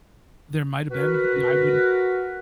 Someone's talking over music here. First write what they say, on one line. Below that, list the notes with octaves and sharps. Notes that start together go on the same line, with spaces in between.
There might've been, I wouldn't
F#4 A#4 B4